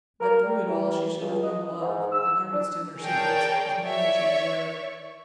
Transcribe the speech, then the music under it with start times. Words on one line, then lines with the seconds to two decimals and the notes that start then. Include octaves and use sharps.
That through it all she should have known love, and learned its tender secrets, was more than she deserved.
0.21 A#4
0.44 G3
0.68 E3
1.20 C#2
1.42 D#5
1.81 G#2
2.12 E6
2.52 D4
3.00 G#4 A#4 C#5 D5 G5 A5
3.86 C#5 D5 E5 C#6